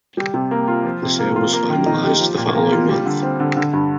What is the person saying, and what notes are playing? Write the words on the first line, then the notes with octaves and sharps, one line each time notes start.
The sale was finalized the following month.
G3
C3
A#3
F4
F3
C3
A#3
F4
A#3
D#3
D#4
G4
F3
A#2
A#3
F4
G3
D3
C4
D3
D3
G2